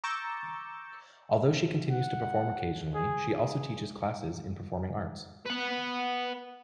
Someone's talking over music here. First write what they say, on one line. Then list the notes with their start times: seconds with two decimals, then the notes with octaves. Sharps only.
Although she continues to perform occasionally, she also teaches classes in performing arts.
0.04 A#5 C#6 D6 E6 G6 A6
1.90 F#5
2.94 G#4
3.29 G#4
5.46 B4 F#5